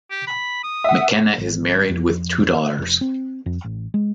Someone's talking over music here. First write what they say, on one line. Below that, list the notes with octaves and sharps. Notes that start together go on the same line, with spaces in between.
McKenna is married with two daughters.
G4
B5
D#6
E5 F#5
G#1
F2
F1
C4
F2
A1
G#3